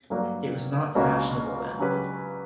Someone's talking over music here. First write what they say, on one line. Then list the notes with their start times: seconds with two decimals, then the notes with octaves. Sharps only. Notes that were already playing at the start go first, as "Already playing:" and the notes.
It was not fashionable then.
0.10 G2 F#3 A#3 D4 F#4
0.95 C#2 B2 A#3 C#4 F#4
1.79 C#3 F#3 C#4 G4 B4